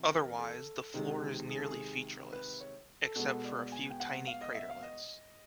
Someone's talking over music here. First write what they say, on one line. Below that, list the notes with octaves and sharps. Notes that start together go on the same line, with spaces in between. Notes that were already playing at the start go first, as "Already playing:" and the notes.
Otherwise the floor is nearly featureless, except for a few tiny craterlets.
Already playing: C3 E3
A#4
A4
C3 D#3 G#3
G#4
A4
G#4
B4
C#5
A4
B2 G#3 B3 A4
D5
G#5
G5
F#5
F5
D#5
E5
F5
D#5